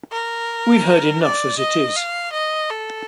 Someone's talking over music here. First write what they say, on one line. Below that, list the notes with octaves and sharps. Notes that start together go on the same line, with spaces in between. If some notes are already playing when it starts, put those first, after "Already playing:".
We’ve heard enough as it is.
A#4
D5
D#5
F5
D#5
A4